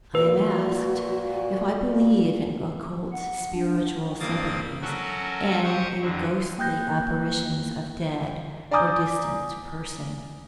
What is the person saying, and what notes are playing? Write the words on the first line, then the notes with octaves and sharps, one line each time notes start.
I am asked if I believe in occult spiritual sympathies, and in ghostly apparitions of dead or distant persons.
A#2 F#4 B4
F#5
D4
G2 A#3 C4 D#6 A6
F#3 C#4 F#4 A4 A#4
G4 C5 C#6 D#6
F2 D3 F#3
A#3 G5 F#6 G6 A#6
D5 G#5 A#5 D6 D#6 G6